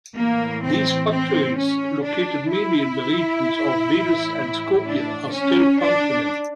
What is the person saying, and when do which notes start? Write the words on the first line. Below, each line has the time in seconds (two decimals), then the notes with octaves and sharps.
These factories, located mainly in the regions of Veles and Skopje are still functioning.
0.15 A2 E3 A#3
0.62 C4
1.10 C4
1.56 C#4
2.04 D4
2.51 E4
3.92 A2 E3
4.86 D4
5.33 C#4
5.80 D4